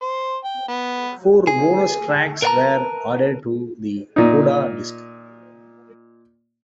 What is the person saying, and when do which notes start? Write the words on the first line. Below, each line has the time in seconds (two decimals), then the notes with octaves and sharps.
Four bonus tracks were added to the "Coda" disc.
0.02 C5
0.44 G5
0.69 B3
1.47 G#4
2.42 A#4 B4 D5 F#5 A5 A#5
4.16 A#2 D#4